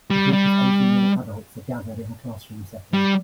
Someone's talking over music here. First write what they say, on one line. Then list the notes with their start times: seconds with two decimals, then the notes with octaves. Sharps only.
A group of Asian young adults are gathered in a classroom setting.
0.10 G3
0.33 G3
2.94 G3